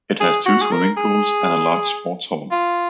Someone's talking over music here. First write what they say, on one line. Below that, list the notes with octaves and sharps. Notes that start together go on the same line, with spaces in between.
It has two swimming pools and a large sports hall.
G#4
F#4
G#4
A#4
G#4
F4